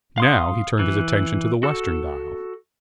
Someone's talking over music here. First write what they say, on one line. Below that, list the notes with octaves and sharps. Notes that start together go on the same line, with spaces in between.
Now he turned his attention to the western dial.
F5 C6 D#6
E3
F#4 A4